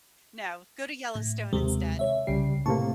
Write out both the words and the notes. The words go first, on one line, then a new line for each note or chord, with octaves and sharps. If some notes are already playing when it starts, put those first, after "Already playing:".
No, go to Yellowstone instead.
A2
D#2 C3 G#3
C#5 E5
C2 C#3 G3 C7
A2 C3 A#3 A5 C#6